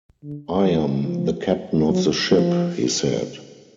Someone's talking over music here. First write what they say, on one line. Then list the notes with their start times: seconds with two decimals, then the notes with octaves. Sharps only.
"I am the captain of the ship," he said.
0.24 D3
0.65 E3
1.06 F3
1.89 F#3
2.31 F3